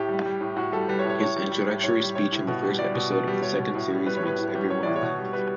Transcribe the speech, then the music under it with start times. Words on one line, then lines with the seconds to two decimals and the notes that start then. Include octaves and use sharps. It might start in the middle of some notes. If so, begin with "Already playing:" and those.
His introductory speech in the first episode of the second series makes everyone laugh.
Already playing: A2 G4
0.08 G3
0.25 G3
0.41 A2
0.56 A2 F#4
0.72 G3 A4
0.88 G3 B4
0.99 C#5
1.05 A2
1.10 C#5
1.20 A2 C#5
1.36 G3
1.51 G3
1.67 A2
1.84 A2 C#5
2.00 G3
2.15 G3 C#5
2.32 A2
2.47 B2
2.63 G3
2.79 G3 D5
2.95 B2
3.11 B2
3.28 G3
3.42 G3 C#5
3.59 B2
3.75 A2
3.91 G3
4.06 G3 B4
4.17 C#5
4.22 A2 B4
4.38 A2
4.55 G3
4.70 G3 C#5
4.83 A2 D5
4.96 C#5
5.02 B2
5.18 G3
5.33 G3 B4